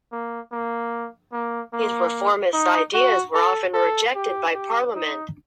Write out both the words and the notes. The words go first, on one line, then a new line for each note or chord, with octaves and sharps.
His reformist ideas were often rejected by Parliament.
A#3
A#3
A#3
A#3
D#4
F#4
A4
A4
G4
G4
D#4